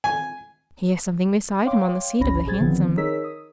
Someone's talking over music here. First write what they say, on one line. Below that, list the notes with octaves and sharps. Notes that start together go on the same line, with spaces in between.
"He has something beside him on the seat of the hansom."
G#5
C#5 F5 G5 C6 D6
G1 C#2 C#4 B5 A#6
A#1 G#4 C5 G#6 A6
D3 D#3 F3 B3 C4
D#4 G#4 A#4 C#5 E6 B6
D#6